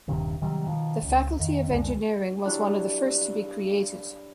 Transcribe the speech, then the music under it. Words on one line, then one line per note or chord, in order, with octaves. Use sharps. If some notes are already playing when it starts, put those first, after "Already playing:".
The Faculty of Engineering was one of the first to be created.
D#1 G2 C3 D#3
C3 D#3 F#3 G3
B2 D#3 F3
C#2
F2 D#3
C2 F2 D3 G#3
F#3 G3 D4 E4